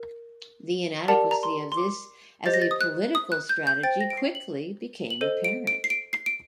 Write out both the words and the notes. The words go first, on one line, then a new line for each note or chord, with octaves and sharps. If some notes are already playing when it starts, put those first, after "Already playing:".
The inadequacy of this as a political strategy quickly became apparent.
Already playing: A#4
G4 A#4 D5 F#5 A5
A#5
C6
C6
D6
G4 C5 D#5 A6
A#6
A6
D#6
F#6
D#6
F#6
G6
G6
C5 G5 A6
A#6
D7
C7
F#7
F#7
A4 C5 D#5 D#7
D7
D7
C7
D7
C7
D7